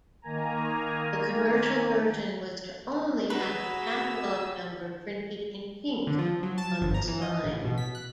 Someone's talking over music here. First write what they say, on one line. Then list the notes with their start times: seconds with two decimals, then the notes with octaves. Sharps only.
The commercial version was to only have the catalog number-printed in pink-on the spine.
0.22 D#3 A#3 G#5 A#5
3.30 F#4 G#4 B4 A#5 B5 E6
6.07 D3
6.18 F3
6.43 F#3
6.58 A5
6.81 G1
6.94 A#5
7.08 E3
7.22 D#5
7.44 A1
7.65 B2
7.78 B6
7.95 F#6